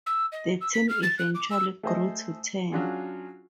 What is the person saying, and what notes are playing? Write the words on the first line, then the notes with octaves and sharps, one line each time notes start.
The team eventually grew to ten.
E6
D#5
E6
B6
F6
A6
F#6
D6
E6
A3 G#4 C5 D#5 E5
F#3 C#4 D4 F4 F#4 G#4